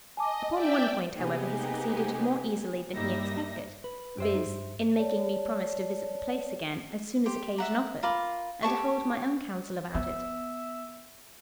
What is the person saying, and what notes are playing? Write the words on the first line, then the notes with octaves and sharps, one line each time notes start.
Upon one point, however, he succeeded more easily than he expected, viz. in making me promise to visit the place again, as soon as occasion offered, and to hold my own counsel about it.
D#5 G#5 A5 D6
D5 E5 G5
C3 A#3 B3 D#4 G4 G#4
G2 G3 A#3 D#4 E5 A#6
B4
F#2 G4 C5 E5
D#4
G2
C#5 D5 A5
G4 C6
E5 F#5 A#5
F4 A#4 B5 D6
G4 C#5 A5 C#6
B3 E5